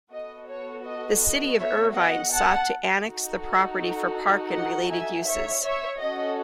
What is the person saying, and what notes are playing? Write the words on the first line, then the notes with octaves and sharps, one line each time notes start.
The city of Irvine sought to annex the property for park and related uses.
B3 F#4 A4 D#5
C#5
D#5
D#5
C#5 E5
D#5 F#5
F#5 A5
D#4 F#4 A4
D#5 F#5
E5 G#5
C#5 E5
C#5 E5
C#4 F#4 A4 D#5